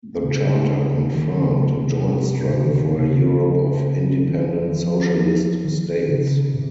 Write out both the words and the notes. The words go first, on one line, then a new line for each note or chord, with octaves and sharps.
The Charter confirmed a joint struggle for a Europe of independent socialist states.
C#3
D#3
C#3
C3
C#3
D#3
C3
C#3
D#3
F3
D#3
C#3
C3